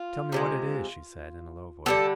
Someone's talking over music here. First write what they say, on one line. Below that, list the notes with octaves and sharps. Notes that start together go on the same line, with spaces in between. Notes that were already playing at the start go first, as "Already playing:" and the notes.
'Tell me what it is,' she said, in a low voice.
Already playing: F4
C3 F3 G#3
D3 G3 B3 A4